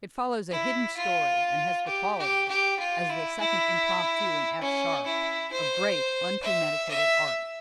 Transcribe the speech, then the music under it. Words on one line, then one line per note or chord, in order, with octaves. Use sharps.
It follows a hidden story, and has the quality--as the second Impromptu in F sharp--of great, unpremeditated art.
E4
F4
G4
G4
G4
F4
E4
E4
C#4
E4
C5
E5
E5